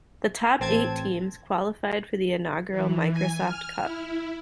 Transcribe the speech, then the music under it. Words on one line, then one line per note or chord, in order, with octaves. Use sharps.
The top eight teams qualified for the inaugural Microsoft Cup.
A1 C4 A5 G#6
E3
G#5
F6
E4